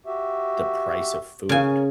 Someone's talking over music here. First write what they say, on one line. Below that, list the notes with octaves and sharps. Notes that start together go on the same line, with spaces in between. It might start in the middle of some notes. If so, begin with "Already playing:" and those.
the price of food.
F#4 G4 E5
C#3 A#4 C#5 G#5